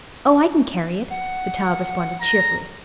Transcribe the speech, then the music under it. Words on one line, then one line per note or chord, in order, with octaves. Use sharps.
"Oh, I can carry it," the child responded cheerfully.
F#5
A#5